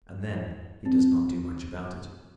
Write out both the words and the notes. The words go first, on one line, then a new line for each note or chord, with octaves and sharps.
And then he does not do much about it.
C4